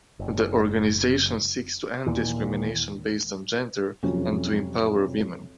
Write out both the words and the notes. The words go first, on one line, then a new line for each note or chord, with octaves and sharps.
The organisation seeks to end discrimination based on gender and to empower women.
F#1
D#2 A#2 E3
F2 C3 F#3 C#4